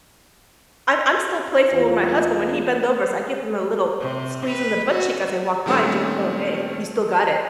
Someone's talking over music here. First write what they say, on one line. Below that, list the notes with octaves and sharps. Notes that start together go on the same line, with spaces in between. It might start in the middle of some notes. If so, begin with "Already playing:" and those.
I'm I'm still playful with my husband. When he bend overs, I give him a little squeeze on the butt cheek as I walk by just to go, "Hey, you still got it."
E2 F4
C3
B4
F#4
A#2 D#3 G3 A3 C4 C#4